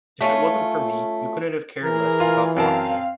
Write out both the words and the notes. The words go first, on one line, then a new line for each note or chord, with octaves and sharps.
If it wasn't for me - you couldn't have cared less about Rachman.
A3 C#4 E4 F4
E3 G#4 A#4
F4
F#2 C4 A#4 F5 A5